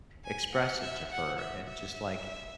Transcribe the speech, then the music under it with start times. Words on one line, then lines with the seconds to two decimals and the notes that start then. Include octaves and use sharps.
express it to her, eh, just like,
0.24 G#5
0.53 F#5
0.81 E5
1.11 F#5
1.40 E5
1.68 E5